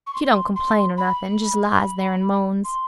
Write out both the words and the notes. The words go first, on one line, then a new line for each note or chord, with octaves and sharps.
She don't complain or nothing--just lies there and moans.
C#6
C6
C6
B5
B5
C6